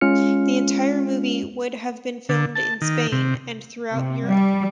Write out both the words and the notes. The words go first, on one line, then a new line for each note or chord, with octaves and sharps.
The entire movie would have been filmed in Spain and throughout Europe.
G#3 C#4 F4 F6 C#7
D3
A5
D#3
C3
C3
G3